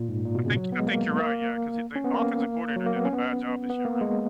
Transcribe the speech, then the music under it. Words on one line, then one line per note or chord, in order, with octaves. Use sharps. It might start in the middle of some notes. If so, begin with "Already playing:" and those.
I think I think you're right, yeah, 'cause th the offensive coordinator did a bad job this year, really.
Already playing: A#2
G#2
A#2
B2
C#3
F#3
B3
G#3
A#3
A#3
C#4
B3
A#3
F#3
A#3
B3
C#4
B3
B3
A#3
G#3